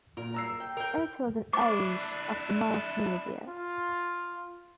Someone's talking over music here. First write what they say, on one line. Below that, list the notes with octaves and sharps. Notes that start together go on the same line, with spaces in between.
It was an age of Mass media.
A#2 A#4
A#5 E6 C7
G5
A#4 G5
D4 E4 D6
F4